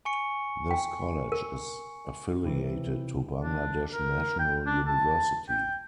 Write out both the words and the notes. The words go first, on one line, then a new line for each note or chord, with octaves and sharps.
This college is affiliated to Bangladesh National University.
G#5 C#6 C#7
G5
A#4
C3 E3
D4
A#4
G5
D4
A5
G5